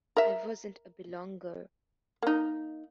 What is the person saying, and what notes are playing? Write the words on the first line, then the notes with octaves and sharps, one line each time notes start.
I wasn't a belonger.
A#4 E5
A#3 D#4